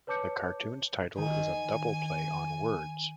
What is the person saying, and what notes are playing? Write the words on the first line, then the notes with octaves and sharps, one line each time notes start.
The cartoon's title is a double play on words.
B4 C#5 A5 D6 G6 C#7
D#3 G#5